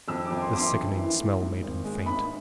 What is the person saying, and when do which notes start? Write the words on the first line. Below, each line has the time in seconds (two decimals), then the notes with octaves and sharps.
The sickening smell made him faint.
0.08 F2 E6
0.25 D6
0.30 F2
0.42 C6
0.53 F2 C6 D6
0.74 F2
0.96 E3
1.19 A3
1.40 G#2
1.62 G#1
1.84 G#3
2.06 G#2 B5